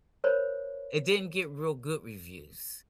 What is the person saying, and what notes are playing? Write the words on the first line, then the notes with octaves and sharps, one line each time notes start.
It didn't get real good reviews.
A#4 C5 C#5 B5